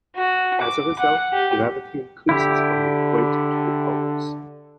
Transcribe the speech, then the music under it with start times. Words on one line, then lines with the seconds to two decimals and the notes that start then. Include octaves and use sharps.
As a result, gravity increases from the equator to the poles.
0.15 F#4
0.61 D6
0.99 F#5
1.33 G4
2.29 D3 E4 G4